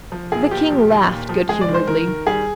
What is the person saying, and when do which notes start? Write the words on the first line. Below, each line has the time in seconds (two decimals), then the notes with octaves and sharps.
The King laughed good-humouredly.
0.12 F3
0.32 A#1 G#4
0.51 A#2 G4
0.71 F3
0.90 D#2
1.09 A#2
1.29 F3
1.49 G#3 G#4
1.61 D5
1.68 D#3
1.74 C5
1.87 D#3 A#4
2.07 D#3
2.26 G3 G#4